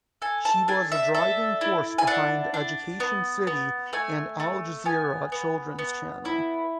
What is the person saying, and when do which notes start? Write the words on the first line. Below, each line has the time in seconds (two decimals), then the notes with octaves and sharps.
She was a driving force behind Education City and Al Jazeera Children's Channel.
0.22 A4 G#5
0.45 A5
0.68 D4 G#5
0.92 E5
1.14 A4 E5
1.61 E4
1.98 G#5
2.07 D4 F#5
2.54 D4
3.00 B3
3.47 B3
3.93 A3 G#5
4.40 A3
4.85 B3 G#5
5.32 B3
5.79 B3
6.25 E4